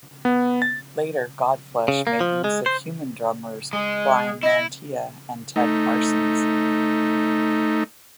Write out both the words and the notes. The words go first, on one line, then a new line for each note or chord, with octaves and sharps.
Later, Godflesh made use of human drummers Bryan Mantia and Ted Parsons.
B3
A6
C#3
A#3
F3
G#3
C5
G#3
E4 D#5
A3 D#4